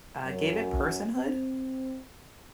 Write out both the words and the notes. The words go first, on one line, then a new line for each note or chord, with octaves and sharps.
uh, gave it personhood,
F#2
C4